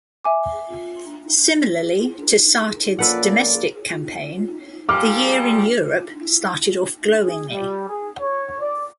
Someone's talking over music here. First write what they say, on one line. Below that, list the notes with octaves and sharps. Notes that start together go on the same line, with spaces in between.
Similarly to Sartid's domestic campaign, the year in Europe started off glowingly.
E5 G#5 D6
A#1 A#3 C#4 A4 B4 D5 F#5
A#2 F3 G3 D6 F6
G#4
G3
G#4
C#5
D5